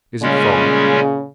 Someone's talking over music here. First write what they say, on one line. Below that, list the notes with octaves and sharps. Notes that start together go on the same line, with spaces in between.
"Is it far?"
A#2 C#3 G3 G#3 C#4